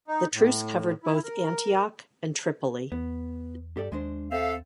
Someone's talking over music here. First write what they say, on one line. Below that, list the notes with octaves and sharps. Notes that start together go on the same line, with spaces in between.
The truce covered both Antioch and Tripoli.
D#4
A2
E4
A#4
E2 B3
G2 G4 A4 D5
D#2 G#3 D4 C5
C4 A4 E5 F5